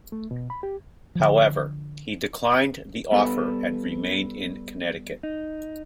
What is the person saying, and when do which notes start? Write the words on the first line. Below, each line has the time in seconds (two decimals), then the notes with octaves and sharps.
However, he declined the offer and remained in Connecticut.
0.12 A3
0.31 B2
0.50 B5
0.63 G4
1.15 D3 F3
3.11 G3 B3 A4 B4
5.23 D#4